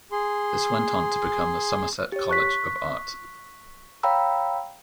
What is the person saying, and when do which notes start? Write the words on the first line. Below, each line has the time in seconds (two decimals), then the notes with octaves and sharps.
This went on to become the Somerset College of Art.
0.12 G#4 C6
2.12 G4 C#5
2.29 C#6 F#6 B6
4.03 C#5 F5 G5 A#5 B5 E6